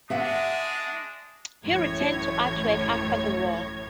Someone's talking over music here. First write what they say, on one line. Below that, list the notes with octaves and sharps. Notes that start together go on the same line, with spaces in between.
He returned to artwork after the war.
G#3 D4 E5 F#5 D#6
A1 F#2 A2 C#5 G#6